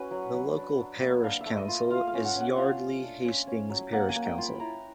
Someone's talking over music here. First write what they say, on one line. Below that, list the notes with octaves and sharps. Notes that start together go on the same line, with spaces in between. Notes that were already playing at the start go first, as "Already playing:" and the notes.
The local parish council is Yardley Hastings Parish Council.
Already playing: C#4 F#4 B4
F#3
F#3
D4
D4
A#3
D4 F5
E5
A3
D#5
F4
F4 F5
F5
C#4
F#5
C#4
F#5
F4 F5
F4
D4
C#4
C#4
F#3
A#3 F#5
G#5
A#3
G5
F4 B5
E4 A#5